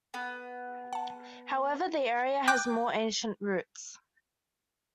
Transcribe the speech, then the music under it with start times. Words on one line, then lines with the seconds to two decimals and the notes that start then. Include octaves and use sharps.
However, the area has more ancient roots.
0.14 B3
0.93 F#5 A5
2.48 G5 D6 F#6 G6